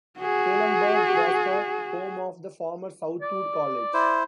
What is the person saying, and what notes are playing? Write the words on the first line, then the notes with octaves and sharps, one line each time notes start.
Salemburg was the home of the former Southwood College.
F#4 G#4
D5
E4 C5